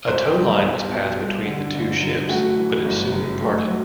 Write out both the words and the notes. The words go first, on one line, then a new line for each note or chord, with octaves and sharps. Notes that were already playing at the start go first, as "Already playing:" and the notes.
A towline was passed between the two ships, but it soon parted.
B1 C5
G3
B1
B2
G3
D3
G1
F#2
A3 F#4
E3
G1
F#2
A3
F#3